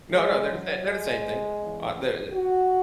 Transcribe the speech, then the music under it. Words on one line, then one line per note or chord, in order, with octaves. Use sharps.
No, no, they're the same they're the same thing. Uh, they they're
F#2 E3 G#3
F#3
G#3
E2 C#3 E3
F#4